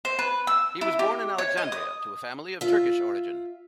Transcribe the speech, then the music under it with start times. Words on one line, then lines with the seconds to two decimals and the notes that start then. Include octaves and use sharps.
He was born in Alexandria to a family of Turkish origin.
0.05 C5
0.19 B4
0.47 E6
0.81 E4
0.99 G4
1.38 C#5
1.57 D#5
1.72 D#6
2.61 F4 E5